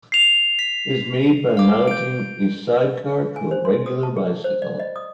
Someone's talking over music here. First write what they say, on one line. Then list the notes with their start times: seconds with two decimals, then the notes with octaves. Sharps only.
It is made by mounting a sidecar to a regular bicycle.
0.12 C7 F7
0.59 B6
1.57 F5 D6
1.88 G6 D7
3.36 G#5
3.51 C5
3.65 C6
3.86 D#6
4.03 A5
4.17 G#4
4.44 C5
4.62 D5
4.80 D#5
4.96 D#6